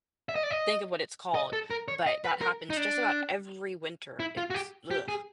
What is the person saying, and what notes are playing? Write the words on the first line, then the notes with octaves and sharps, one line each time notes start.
think of what it's called, but that happens just about every winter. It's blegh.
E5
D#5
D5
D#5
D#5
A4
A#4
C#5
D#5
B4
A#4
D#4
D4
E4
F4
F#4
G4
G4
G#4